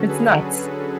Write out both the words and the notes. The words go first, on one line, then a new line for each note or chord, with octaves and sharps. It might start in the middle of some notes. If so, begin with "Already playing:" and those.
it's nuts.
Already playing: D3 F#3 C#4 F#4 A4
G#4 B4